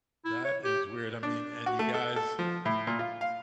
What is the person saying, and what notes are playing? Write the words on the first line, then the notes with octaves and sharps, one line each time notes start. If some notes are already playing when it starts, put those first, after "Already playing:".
That is weird, I mean, and you guys
E4
C#5
G4
D4
F#4
A3
A4
A4
F3
A2
A#2
F4
F5